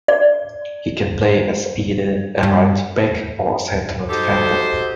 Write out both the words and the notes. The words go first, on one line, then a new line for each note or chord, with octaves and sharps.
He can play as either a right back or a central defender.
D5
G2
D#4 F#4 G4 A4 C5